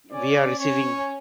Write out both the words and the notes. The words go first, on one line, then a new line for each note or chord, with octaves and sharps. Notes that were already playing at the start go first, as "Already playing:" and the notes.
We are receiving.
C#4 D5
C#4 C#5